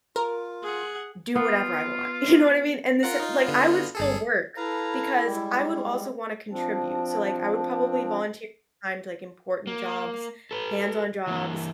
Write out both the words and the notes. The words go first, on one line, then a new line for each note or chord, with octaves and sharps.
do whatever I want. You know what I mean, and this, eh, like I would still work because I would also wanna contribute, so, like, I would probably volunteer time to, like, important jobs, hands-on jobs,
F4 A#4
G#4 F#5
B3 F4
F4 A#4 F#5
D#4 F4
D3 B3 F4
G1 G#4 A4
E4 A4 B4 F5 A#5
G3 G#3
F3 C4 D4
A#3
A4 B4
E3 A#3